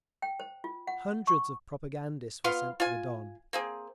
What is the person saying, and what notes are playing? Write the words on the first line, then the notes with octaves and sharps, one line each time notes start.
Hundreds of propagandists were sent to the Don.
G5
C5
F4
F#5
C#6
B3 F4 F5 C6
F4 G#5
A#3 C4 G#4